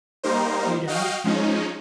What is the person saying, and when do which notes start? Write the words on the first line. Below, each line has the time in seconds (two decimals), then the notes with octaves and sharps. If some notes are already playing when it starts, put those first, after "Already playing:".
You don't?
0.23 G3 A#3 D#4 A#4 C5
0.87 F#4 D#5 F5 G5 F6
1.24 F3 G#3 C#4 D#4